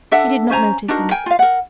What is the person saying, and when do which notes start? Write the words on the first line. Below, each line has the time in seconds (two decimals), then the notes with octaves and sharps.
She did not notice him.
0.11 D4 A4 E5 F#5
0.50 C#4 C5 G#5 A#5
0.88 D4 D#4 F#4 A#4
1.11 A#4 G5 G#5
1.26 F4 F5
1.39 A#4 F#5